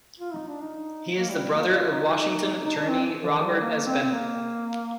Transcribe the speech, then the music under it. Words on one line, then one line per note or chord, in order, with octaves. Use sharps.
He is the brother of Washington attorney Robert S. Bennett.
F4
D#4
D4
D#4
A#3
G3
G3
A#3
F4
D#4
D#4
D4
C4
F3
D#3
G3
A#3
C4
C4
A#3